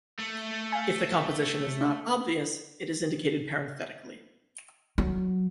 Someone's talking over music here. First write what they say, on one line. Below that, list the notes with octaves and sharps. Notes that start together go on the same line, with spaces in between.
If the composition is not obvious, it is indicated parenthetically.
A3
F5 G#5
D4
F#3